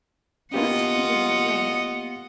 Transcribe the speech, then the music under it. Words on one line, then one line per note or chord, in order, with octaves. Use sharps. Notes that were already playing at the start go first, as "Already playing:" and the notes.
We must feel our way.
A#3 B3 F4 G4 D#5 F#5